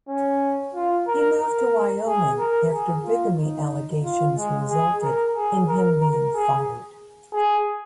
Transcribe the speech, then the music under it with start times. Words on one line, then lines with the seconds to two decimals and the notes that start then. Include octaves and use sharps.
He moved to Wyoming after bigamy allegations resulted in him being fired.
0.08 C#4
0.74 F4
1.07 A#4
1.40 A#4
2.07 G#4
2.39 A#4
2.72 G#4
3.04 F4
3.38 D#4
4.04 F4
4.37 G#3
4.70 G#4
5.02 A#4
5.36 G#4
5.68 A#4
6.01 A#4
6.34 G#4
7.33 G#4